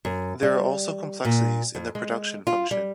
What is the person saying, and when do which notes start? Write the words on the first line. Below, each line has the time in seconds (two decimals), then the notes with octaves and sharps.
There are also complexities in the production function.
0.05 F#2
0.42 G3
1.25 A#2
1.75 F2
1.95 G#3
2.47 F4
2.71 G3